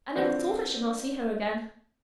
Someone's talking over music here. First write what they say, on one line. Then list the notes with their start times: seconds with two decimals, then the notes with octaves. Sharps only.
I never thought I should not see her again.'
0.15 D3 F3 B3 C4 D4